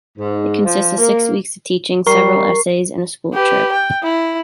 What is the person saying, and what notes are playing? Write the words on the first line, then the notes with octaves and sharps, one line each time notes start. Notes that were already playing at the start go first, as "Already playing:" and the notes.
It consists of six weeks of teaching, several essays, and a school trip.
G#2
F3
A#3
G3 A#4 C#6 C7
G4 B4
G5
E4